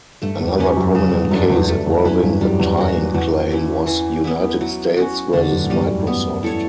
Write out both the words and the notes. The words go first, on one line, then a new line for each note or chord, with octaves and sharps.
Another prominent case involving a tying claim was "United States versus Microsoft".
G2 A3
E2
E2 C#4 G4 B4
F#2
F#2 C#3
E2
G2
F#2 F#3 A3 D4
E2
F#2 A3
E2
F#2 C#4 E4 B4
G2
F#2 G3
E2
F#2 C#4 F#4
G2
E2 F#3
C#4 E4
E3
B3 E4
F#3
C#4 F#4
E2 D3
F#2
A2
G2 G3 C#4
F#2
B3
E4 A4 C#5